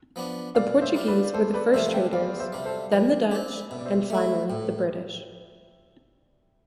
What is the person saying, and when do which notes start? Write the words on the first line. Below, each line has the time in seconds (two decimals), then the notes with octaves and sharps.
The Portuguese were the first traders, then the Dutch and finally the British.
0.16 F3 B3 D4
0.55 B2 D5 F5
0.81 C5 E5
0.94 G3 D4 F4
1.08 B4 D5
1.34 E2 A4 C5
1.54 B4 D5
1.73 C3 F3 A3 C5 E5
1.87 F5
1.94 E5 G5
2.13 E2 D5 F5
2.40 C5 E5
2.52 C3 G3
2.66 A4 C5
2.92 F3 B4 D5
3.31 C4 G4
3.71 B2 E5
3.78 D5
3.85 C5 E5
4.10 A3 E4
4.49 A2 E5 G5